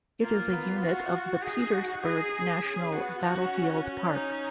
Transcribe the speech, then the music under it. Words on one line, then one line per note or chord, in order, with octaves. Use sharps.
It is a unit of the Petersburg National Battlefield Park.
A#3 F4
B3
F#4
D#4 G#4
F#4
G#4
C#4 G#4
B3 F#4
F4
D#4 F#4
C#4
C#4
C#4
C#4
D#4